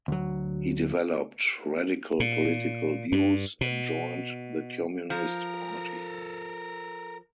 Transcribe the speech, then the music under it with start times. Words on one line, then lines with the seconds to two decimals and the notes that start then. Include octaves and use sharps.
He developed radical political views, and joined the Communist Party.
0.08 D2 F#3
2.20 A#2
3.12 G2
3.61 B2
5.10 F3 A4 A#4